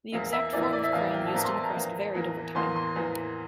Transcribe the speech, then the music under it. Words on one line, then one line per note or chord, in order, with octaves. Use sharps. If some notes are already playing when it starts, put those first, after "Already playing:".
The exact form of crown used in the crest varied over time.
E2 E3 A#3 E4
E5
E2 E3 A#3 E4 D5
E5
D5
E5
E2 E3 A#3 E4 F5
G5
A5
E2 E3 A#3 E4 A#5
C6
A5
A#5
E2 E3 A#3
E2 E3 A#3
E2 E3 A#3 C6
C6
E2 E3 A#3